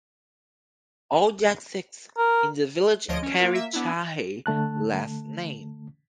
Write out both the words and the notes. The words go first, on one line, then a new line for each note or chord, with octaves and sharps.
All Jatt Sikhs in the village carry shahi last name.
A#4
D2 F3 C#5 D#5 D7
C#4
A#3 F4 A#4
A#3 E5
B3 D4 E4
D3 A3 A5 F#6